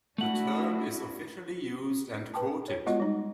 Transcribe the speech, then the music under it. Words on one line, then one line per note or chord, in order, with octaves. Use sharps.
The term is officially used and quoted.
A3 D4 E4 F#4 F#5
B4 G5 A5
C#5
G#3 B3 F4 F#4 D#5
G3 D#4